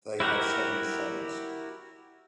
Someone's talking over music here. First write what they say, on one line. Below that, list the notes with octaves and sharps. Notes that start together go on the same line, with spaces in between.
They had seven sons.
E4 F#4 G4 A#4 F#5